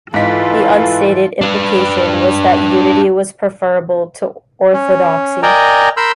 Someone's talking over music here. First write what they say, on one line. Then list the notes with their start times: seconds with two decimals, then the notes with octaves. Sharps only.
The unstated implication was that unity was preferable to orthodoxy.
0.14 G#2 E3 D#4 F4 A4 F5 B6
1.41 D4 B4
4.74 C#4
5.43 A#4 D5 D#5 G5 G#5 A#5
5.97 A#4 B5 C6 E6 G6